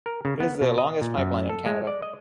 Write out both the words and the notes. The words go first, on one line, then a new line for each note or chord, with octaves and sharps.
It is the longest pipeline in Canada.
A#4
C#3
B3
B2
D#5
A#2
F#2
A4
G#3
D5
D#5